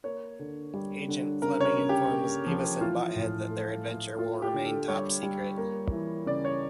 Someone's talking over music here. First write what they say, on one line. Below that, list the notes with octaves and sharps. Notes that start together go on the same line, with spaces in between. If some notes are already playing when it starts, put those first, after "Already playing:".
Agent Flemming informs Beavis and Butt-Head that their adventure will remain top secret.
A#3 C#5
D3
G3
D3
C#3 A#4
C#5
A#4
C#3
G4
A#3
F3
E3 F4
A2
A3
A3
A#3 F4
G4
D3
A4
G3 C#5
G3
A#3
E3
C#3 D5
C#5